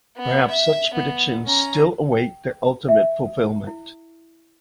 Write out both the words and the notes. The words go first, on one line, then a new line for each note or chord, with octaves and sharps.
Perhaps such predictions still await their ultimate fulfilment.
B3
E5
B3
C#4 A#5
G5
E5
E4